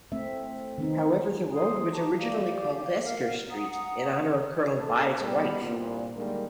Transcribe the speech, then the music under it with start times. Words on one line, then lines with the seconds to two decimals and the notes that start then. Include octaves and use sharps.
However, the road was originally called Esther Street in honour of Colonel By's wife.
0.12 A3 C4 E5
0.78 D#3 B3 C4 D#4
1.53 G#4 C5 C6 D#6
1.92 F#4 G4 A5 A#5
2.19 G4 D5 F5
3.04 A#4 F5 F#5
3.50 F#5 A#5 D#6
4.79 A4
5.21 G3 B3
5.63 C2 G2 A#2
6.16 D3 D#3 G3 G#3 A#3